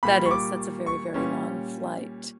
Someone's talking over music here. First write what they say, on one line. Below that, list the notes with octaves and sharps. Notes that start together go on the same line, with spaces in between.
That is. That's a very, very long flight.
A#2 G3 A#3 B5
C#6
D6
C#6
A#2 G3 C#4